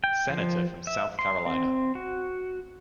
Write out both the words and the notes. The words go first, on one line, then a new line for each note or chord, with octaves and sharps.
Senator from South Carolina.
G5
F3
E5
C6
C4
F#4